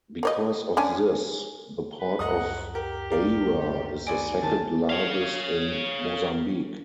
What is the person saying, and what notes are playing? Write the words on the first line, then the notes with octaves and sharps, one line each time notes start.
Because of this, the port of Beira is the second largest in Mozambique.
A#3 C#5 D#5
C#4 D4 G#5
B4
C#2 F#2 D#5 F#5 A#5 D#6
G4 A#4
A#4 D5 F5
G#1 D5 G#5 D7
E2 G2 D#3 A5
C#5 F5